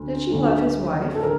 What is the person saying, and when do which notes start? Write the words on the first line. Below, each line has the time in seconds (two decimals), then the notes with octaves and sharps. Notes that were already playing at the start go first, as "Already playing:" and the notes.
Did she love his wife?
Already playing: D2 D3
0.31 D2 D3 A3
1.15 A4
1.23 A#4